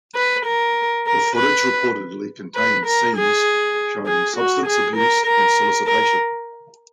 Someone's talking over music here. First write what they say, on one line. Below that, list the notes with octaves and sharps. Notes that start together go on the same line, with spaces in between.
The footage reportedly contained scenes showing substance abuse and solicitation.
B4
A#4
A#4
B4
B4
A#4
G#4
G#4
F#4
G#4
A#4
A#4
A#4